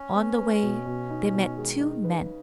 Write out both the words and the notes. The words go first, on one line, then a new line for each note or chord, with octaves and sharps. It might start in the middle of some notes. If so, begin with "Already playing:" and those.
On the way they met two men.
Already playing: C#4
B3
B4
B2
B2
D#4
B2
D#3 G#3
D#4
C#3 B4